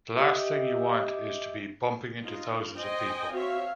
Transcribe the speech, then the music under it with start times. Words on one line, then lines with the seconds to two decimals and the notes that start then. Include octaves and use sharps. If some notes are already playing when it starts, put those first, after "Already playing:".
The last thing you want is to be bumping into thousands of people.
0.17 G4 D#5 E5
2.23 D#4 F4
2.78 C5 D#5 G5 G#5
3.33 C4 F#4 C#5 E5 F5